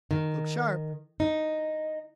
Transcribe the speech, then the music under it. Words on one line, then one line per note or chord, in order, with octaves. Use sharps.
Look sharp!
D#3
D#4